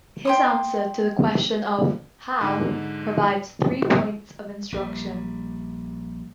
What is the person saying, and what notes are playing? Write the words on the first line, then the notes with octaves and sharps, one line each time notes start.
His answer to the question of "how" provides three points of instruction.
G5 C6 D#6
G#2 D3 D#4
A#1 G3